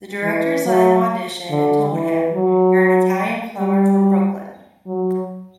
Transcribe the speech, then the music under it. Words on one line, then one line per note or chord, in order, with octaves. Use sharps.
The directors let him audition and told him, "You're an Italian plumber from Brooklyn".
E3
F#3
D3
E3
F#3
G3
F#3